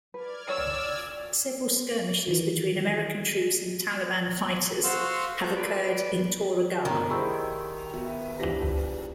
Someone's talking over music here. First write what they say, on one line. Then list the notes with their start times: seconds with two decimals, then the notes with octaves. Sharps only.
Several skirmishes between American troops and Taliban fighters have occurred in Tora Ghar.
0.14 B4 D5 F6 G#6
0.49 C#5 E6
2.27 D#3 E3
4.84 F#4 C5 F5 F#5 C6 E6
5.43 A4 C5 F#6 G6
5.56 B4 D5
6.85 G1 D#3 A3
7.10 G3 E4 F#4 G#4 C5 B5 C#6 E6
7.93 B3 F#4 E5
8.40 E3 F3 D4 G4 A#6